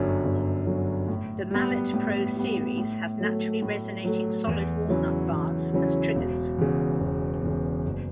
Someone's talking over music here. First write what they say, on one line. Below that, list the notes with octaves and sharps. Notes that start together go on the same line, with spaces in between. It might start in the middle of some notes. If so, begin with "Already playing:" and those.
The Mallet Pro series has naturally resonating solid walnut bars as triggers.
Already playing: G1 F#2 D3 F#3
G1
F#2 D3 F#3
A2
G3 B3
A2
G3 B3
A2
F#3 A3
A2
F#3 A3
E2
C#3 F#3 C#4 E4
E2
C#3 F#3 C#4 E4
E1
E2 C#3
E1
E2 C#3
F#1